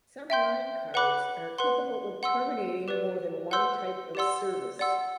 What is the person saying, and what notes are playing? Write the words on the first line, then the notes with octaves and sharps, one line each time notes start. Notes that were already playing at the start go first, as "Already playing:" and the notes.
Some line cards are capable of terminating more than one type of service.
E5 G5 C6 G6
B4 F#5 B5 D6 F#6
B4 F#5 C6
F#5 C6 E6
G4 B4 D5
B4 F#5 C6 E6 G6
G4 D5 F#5 C6 E6
D5 F#5 C6 E6